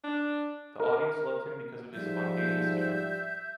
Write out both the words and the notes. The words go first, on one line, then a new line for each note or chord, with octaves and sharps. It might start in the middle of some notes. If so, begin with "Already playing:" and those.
The audience loved him because of his spontaneous humor.
D4
A#4
G#2 F3 G3 E5 G6